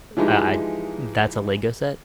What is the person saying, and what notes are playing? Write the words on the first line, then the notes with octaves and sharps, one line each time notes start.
I I that's a LEGO set?
E3 F3 G#3 D#4 G4